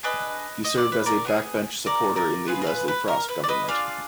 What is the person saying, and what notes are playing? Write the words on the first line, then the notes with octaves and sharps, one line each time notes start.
He served as a backbench supporter in the Leslie Frost Government.
D4 G#4 B4 D#5
D#5
D5
B4
A#4 D5
B3 F4 G#4
A#4 D5
A#4 D5
B3 F4 G#4 B4
A#4
B4
B4
A#4
B4
D5
B4 D#5
D4 F4 G#4 D5 F5